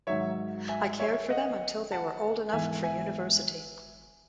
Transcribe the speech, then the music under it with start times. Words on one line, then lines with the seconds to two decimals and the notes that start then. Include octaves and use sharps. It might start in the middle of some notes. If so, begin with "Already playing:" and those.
I cared for them until they were old enough for University.
0.07 G#2 D#3 F#3 C#5 E5
0.69 E5 G#5
0.99 C#5 E5
1.30 D#5 F#5
1.92 F#5 A5
2.53 G#2 E3 B3 E5 G#5
2.84 E5 G#5